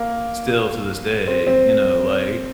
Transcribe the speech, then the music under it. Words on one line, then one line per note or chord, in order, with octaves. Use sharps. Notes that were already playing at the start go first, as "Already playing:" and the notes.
still to this day, you know, like,
Already playing: A#3
C4
C4